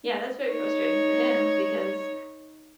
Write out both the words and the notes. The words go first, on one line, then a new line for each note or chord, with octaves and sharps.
yeah, that's very frustrating for him because
D#4 C#5